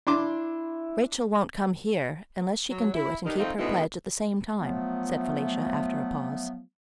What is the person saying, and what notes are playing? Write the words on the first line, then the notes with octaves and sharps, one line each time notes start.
"Rachel won't come here unless she can do it and keep her pledge at the same time," said Felicia, after a pause.
D4 E4 C6 D6
F#3
E4
G2 D#3
D#3 F3 A3 C4 D#4
D2 B2 G#3 B3 D#4 E4
F3 F#3 A3 B3